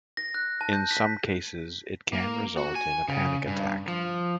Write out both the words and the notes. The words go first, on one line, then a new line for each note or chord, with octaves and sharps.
In some cases, it can result in a panic attack.
A#6
F#6
A5
G6
B6
A#3
F#4
G#5
C#3
G2
F3